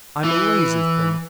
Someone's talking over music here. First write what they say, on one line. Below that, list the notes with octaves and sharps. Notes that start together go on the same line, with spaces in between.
I'm a lazy thing.
E3